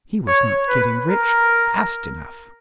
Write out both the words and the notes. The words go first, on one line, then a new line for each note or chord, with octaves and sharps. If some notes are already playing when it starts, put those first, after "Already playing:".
He was not getting rich fast enough.
C#5
B4
A#4